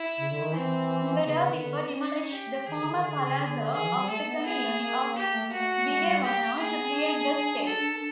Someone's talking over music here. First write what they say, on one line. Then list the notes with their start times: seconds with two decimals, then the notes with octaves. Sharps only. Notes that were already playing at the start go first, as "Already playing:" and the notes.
Ludovico demolished the former palazzo of the commune of Vigevano to create the space.
Already playing: E4
0.18 C#3
0.30 D3
0.41 D#3
0.53 E3 C4
1.24 C#3 B3
1.36 C#3
1.48 D#3
1.60 D3
1.96 C#4
2.31 G4
2.67 D#3 G#4
2.79 D3
2.90 D#3
3.02 D3 G#4
3.20 C#3
3.38 D3
3.73 D#3 G#4
3.82 E3
3.91 F#3
4.00 G3
4.09 A3 A4
4.27 B3
4.45 G#4
4.81 A#3
5.16 A#3 G4
5.34 A3
5.47 A#3
5.52 F#4
5.59 A3
5.88 G#3
6.05 G3
6.23 G4
6.58 A#3 G#4
6.70 B3
6.82 C4
6.94 D4
7.65 A4